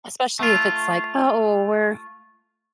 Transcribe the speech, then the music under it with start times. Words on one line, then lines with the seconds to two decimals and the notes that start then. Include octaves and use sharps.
especially if it's like, "Oh, we're
0.39 A3 F4